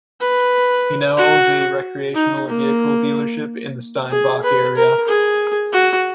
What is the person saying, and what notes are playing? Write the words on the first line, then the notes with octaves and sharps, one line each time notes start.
He now owns a recreational vehicle dealership in the Steinbach area.
B4
F#4
D#4
A#3
G#4
B4
A#4
G#4
F#4